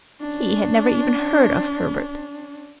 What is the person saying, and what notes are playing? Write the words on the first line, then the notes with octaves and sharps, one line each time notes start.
He had never even heard of Herbert.
C#4 D4